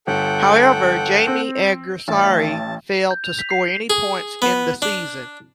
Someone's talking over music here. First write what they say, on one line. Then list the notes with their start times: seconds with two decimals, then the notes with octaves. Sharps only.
However, Jaime Alguersuari failed to score any points in the season.
0.07 G1 A4 F#5 G5
1.27 C4
2.08 A1 A5
3.11 G6
3.24 F7
3.39 B6
3.51 C7
3.68 C7
3.90 G#4
4.42 B3
4.82 D4